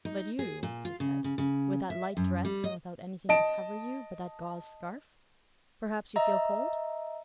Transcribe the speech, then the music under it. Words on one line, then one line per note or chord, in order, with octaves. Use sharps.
"But you," he said, "with that light dress, and without anything to cover you but that gauze scarf, perhaps you feel cold?"
D#4
G#4
A#2
F4
C#3
C#3
C#3
E5
F#2
G3
D#5
D#5 A5 D7
D#5 E5 A#5